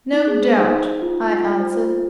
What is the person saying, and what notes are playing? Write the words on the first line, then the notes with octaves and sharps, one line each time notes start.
'No doubt,' I answered.
D#4
G#4
C5
D#4
D#4
D#4
F4
F4
F4
F4
C5
F4
F4